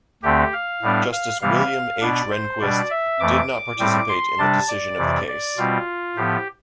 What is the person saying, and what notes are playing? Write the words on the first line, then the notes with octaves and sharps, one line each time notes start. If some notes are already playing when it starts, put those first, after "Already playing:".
Justice William H. Rehnquist did not participate in the decision of the case.
D2 D3 A3 C4 G4
F5
A2 G3 B3 D4
F5
C3 E3 G3 B3 F5
B2 B3 D4 D5
C5
B2 G3 D4 D5
E5
F2 E3 A3 D6
A2 G3 C4
C6
C3 G3 D4 A5
D5
F2 C3 E3
D5
B2 G3 C4 F4
A2 F3 B3 G4